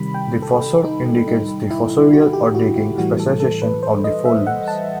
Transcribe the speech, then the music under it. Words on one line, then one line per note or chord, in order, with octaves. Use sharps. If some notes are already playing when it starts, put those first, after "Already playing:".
The "fossor" indicates the fossorial, or digging, specialization of the forelimbs.
Already playing: C3 D#3 G3 B5
G5
A4
D#4
D#4
E4
F#4
G4
F#4
E4
A2 E3 G3 F#4
A4
A4
B4
C5
D#5
E5
F#5
A5